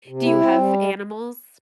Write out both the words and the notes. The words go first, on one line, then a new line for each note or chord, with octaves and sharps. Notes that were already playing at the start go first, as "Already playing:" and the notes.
Do you have animals?
C3
E4
C4
G3